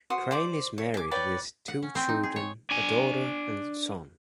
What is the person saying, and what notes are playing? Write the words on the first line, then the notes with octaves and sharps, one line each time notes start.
Crane is married with two children, a daughter and son.
F#4 C5 D#6
C5 D5 D6
C#5
G#5 D6
B4 C#5 D5 G5
F#5
C#4
C4
D#4
G#4
C#5
D4 G#5